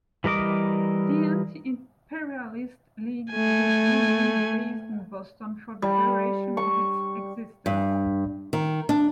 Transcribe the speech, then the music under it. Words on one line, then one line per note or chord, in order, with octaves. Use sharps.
The Anti-Imperialist League would remain based in Boston for the duration of its existence.
E3 G3 A#4 D#5 D6
A3 G#5
G3
C#6
G2
D#3
D4